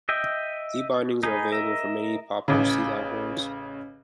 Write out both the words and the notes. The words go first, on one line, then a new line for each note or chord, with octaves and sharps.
D bindings are available for many popular C libraries.
D#5 E5 G5
D#4 G#4 B4
A#4 D#5 E5
A1 C#3